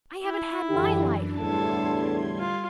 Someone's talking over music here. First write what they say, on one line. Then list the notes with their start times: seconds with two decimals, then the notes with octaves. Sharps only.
I haven't had my life.
0.24 E4
0.69 F#2 D3 E3 D4 G4
1.38 E2 A2 D3 G3 A4 A5 C6 G#6
2.39 F4